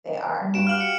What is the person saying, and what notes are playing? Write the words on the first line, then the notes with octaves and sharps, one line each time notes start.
they are.
G3
G2 F#4 F#5 D7 E7
G4 F5 F6 F#6 F#7
C#7